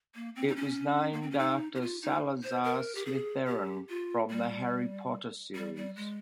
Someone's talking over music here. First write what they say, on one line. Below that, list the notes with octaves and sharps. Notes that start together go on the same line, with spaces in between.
It was named after Salazar Slytherin from the "Harry Potter" series.
A#3
C4
D#4
C#4
A#3
C4
C#4
D#4
G4
F4
D#4
C5
A#4
G4
G#4
G4
F4
G3
G3
G3
G#3